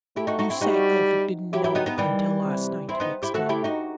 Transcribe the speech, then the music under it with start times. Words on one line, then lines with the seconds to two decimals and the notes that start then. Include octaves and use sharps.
"You say Elphick didn't know until last night!" he exclaimed.
0.16 A3 E4 G4
0.27 D#4 F#4
0.39 D#4 F#4
0.50 C4 E4
0.61 G3 D#4 F#4
1.52 F#3 E4 G4
1.64 E4 G4
1.75 B3 D#4
1.86 B3 D#4
1.98 D#3 E3 G3
2.44 C3
2.89 C4 E4
3.00 B3 D#4
3.23 E4 G4
3.34 A3 F#4 A4
3.49 E4 G4
3.64 D#4 F#4